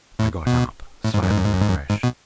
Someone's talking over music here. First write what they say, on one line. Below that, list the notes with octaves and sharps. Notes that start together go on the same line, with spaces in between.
I got up, slightly refreshed.
A2
B2
A2
G#2
F#2
G#2
F#2
G#2
F#2
G#2
F#2
G#2
B2